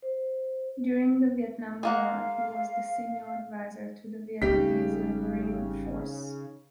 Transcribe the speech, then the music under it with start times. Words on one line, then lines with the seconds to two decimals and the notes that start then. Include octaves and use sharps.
During the Vietnam War he was the senior adviser to the Vietnamese Riverine Force.
0.02 C5
1.83 G#3 A#3 F5 F#5
4.42 G#1 C#3 G3 D#4 G4 B6